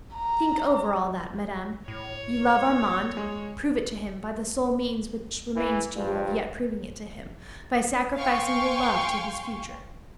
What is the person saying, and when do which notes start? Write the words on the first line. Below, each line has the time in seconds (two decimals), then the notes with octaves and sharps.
Think over all that, madame. You love Armand; prove it to him by the sole means which remains to you of yet proving it to him, by sacrificing your love to his future.
0.15 A#5
1.88 A2 C#5
3.17 G#3
5.56 E3
5.96 G2 F3 G3
8.15 F5 G5 G#5 C6 C#6